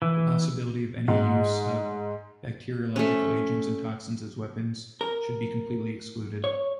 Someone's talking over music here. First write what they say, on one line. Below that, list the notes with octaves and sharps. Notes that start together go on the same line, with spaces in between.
The possibility of any use of bacteriological agents and toxins as weapons should be completely excluded.
E3
G#2
A3 C#4
A#4
C#5